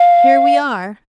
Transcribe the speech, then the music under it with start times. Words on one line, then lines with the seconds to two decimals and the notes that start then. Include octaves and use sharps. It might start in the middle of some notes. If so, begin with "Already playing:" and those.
Here we are!
Already playing: F5